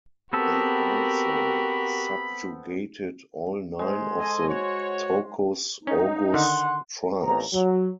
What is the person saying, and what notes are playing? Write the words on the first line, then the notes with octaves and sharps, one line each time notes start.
They also subjugated all nine of the Tokuz Oguz tribes.
B3 C4 F#4 G4 A4 A#4 B5
G#3 C5
A4 D#5 G#5
F#4 C#5
C#4 D#4
D3 D#3 F#5 C6
A1 D#2 B3 C4 A#5
F#3